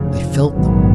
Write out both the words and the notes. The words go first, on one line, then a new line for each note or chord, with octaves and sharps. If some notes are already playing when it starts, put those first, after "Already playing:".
I felt them.'
Already playing: F1 F2 C#3
A#1 G#2 D#3 F#3 B3